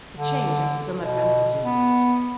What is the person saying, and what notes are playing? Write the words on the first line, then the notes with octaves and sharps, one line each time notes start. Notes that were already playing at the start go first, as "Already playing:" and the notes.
The change has some advantages.
D3
B2
B3